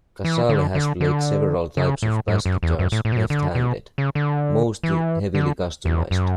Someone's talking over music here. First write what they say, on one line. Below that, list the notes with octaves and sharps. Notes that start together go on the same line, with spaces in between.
Casale has played several types of bass guitars left-handed, mostly heavily customized.
E3
D3
D3
D3
C#3
A2
G#2
F#2
E2
F#2
A2
A2
B2
A2
D3
B2
C#3
D3
E3
D3
E2
F#2